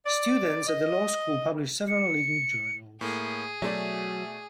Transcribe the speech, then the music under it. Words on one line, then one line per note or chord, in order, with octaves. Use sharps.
Students at the Law School publish several legal journals.
D5
D#5
C#7
A2 A#3 G#4
B2 F#3 A3 D5 E5